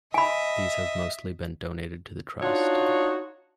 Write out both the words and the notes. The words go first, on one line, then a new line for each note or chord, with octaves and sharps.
These have mostly been donated to the Trust.
D#5 E5 G#5 B5
D4 D#4 F4 F#4 C#5